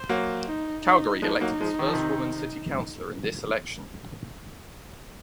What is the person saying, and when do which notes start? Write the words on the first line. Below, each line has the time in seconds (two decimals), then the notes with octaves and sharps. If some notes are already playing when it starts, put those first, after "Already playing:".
Calgary elected its first woman city councillor in this election.
Already playing: C5
0.09 F#3 A#3
0.47 D#4
0.85 D#4
1.22 F3 G#3 D#4
1.41 F#3 A#3
1.61 F3 G#3
1.79 D#3
1.87 F3
1.93 C3 D#3